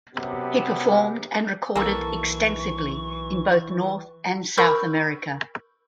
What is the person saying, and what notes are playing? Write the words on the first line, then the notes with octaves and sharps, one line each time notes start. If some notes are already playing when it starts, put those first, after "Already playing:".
He performed and recorded extensively in both North and South America.
F#2 C3 B3 G4
B1 E3 A#3 A4 C#6
A#4 B5 C#6 E6 G6